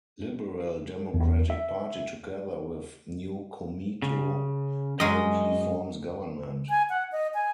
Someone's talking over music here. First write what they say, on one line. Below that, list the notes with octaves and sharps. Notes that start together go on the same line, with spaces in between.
Liberal Democratic Party together with New Komeito currently forms government.
E2
E5
C#3
F#2 G#3 D#5
G#5
F#5
D#5
G#5